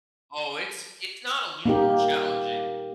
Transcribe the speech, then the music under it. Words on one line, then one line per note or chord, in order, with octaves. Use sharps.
Oh, it's it's not a little more challenging.
A#3 D#4 G4